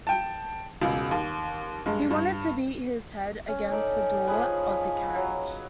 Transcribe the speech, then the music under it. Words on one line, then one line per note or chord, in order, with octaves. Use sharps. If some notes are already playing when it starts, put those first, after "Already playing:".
He wanted to beat his head against the door of the carriage.
G5 A5
E1 C#2
D#2
G2 G#3
G2
C#4
C#4 D#4 A4 D5
F3 G#4 B4
B4
F#3